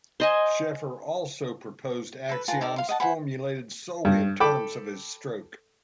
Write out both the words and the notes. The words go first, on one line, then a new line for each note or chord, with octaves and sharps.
Sheffer also proposed axioms formulated solely in terms of his stroke.
C5 D#5 G#5
A4 B4
F4 B4 G#5 A5
D#4 A4 A#4 D5
F5 C6
D#5 F#5 A5
C5 F#5 G#5 B5
G2
A4 G5 B5 D6